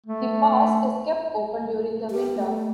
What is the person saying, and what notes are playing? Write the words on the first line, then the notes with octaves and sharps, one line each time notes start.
The Pass is kept open during the winter.
A3
G4
A3